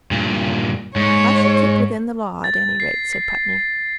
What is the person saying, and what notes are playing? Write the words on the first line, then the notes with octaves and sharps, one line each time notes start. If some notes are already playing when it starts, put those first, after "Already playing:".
"I shall keep within the law, at any rate," said Putney.
G2 A#2
G#2 C#5
A6
C7
C7